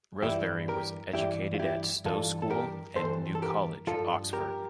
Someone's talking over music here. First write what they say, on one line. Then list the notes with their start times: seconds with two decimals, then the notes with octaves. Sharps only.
Rosebery was educated at Stowe School and New College, Oxford.
0.23 G2 E3 E4 G4
0.68 G4 A#4
1.13 G2 E3 E4 G4
1.54 F4
1.59 E4 G4
2.05 G2 E3 F4 A4
2.42 A4
2.50 G4 A#4
2.96 G2 E3 A4 C5
3.35 A4
3.42 G4 A#4
3.87 G2 F3 F4 A4
4.33 G4 A#4